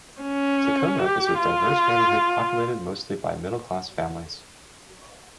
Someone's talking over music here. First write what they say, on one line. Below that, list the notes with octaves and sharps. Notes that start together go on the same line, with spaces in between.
Takoma is a diverse neighborhood, populated mostly by middle-class families.
C#4
G4
F4